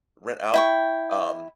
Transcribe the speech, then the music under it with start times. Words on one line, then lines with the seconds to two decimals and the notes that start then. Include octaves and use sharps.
rent out, um,
0.54 E4 G5 C#6